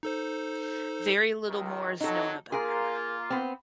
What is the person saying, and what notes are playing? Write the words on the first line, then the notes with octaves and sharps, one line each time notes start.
Very little more is known about her.
D#4 A4 C5
C#2 D#3
F2 F#3 D#4 A4
A#3 F4 G#4 A#4
B3 C4